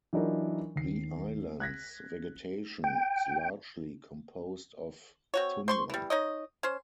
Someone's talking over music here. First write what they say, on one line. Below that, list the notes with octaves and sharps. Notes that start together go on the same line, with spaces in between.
The island's vegetation is largely composed of tundra.
E3 F#3 D4 D#4 F4 A#4
D#2 C7
F#6 G#6 A#6 B6
G5
C4 F#4 C#5
C5 C6 C#6
E3 G3
D#4 C#5 D#5
C#4 C5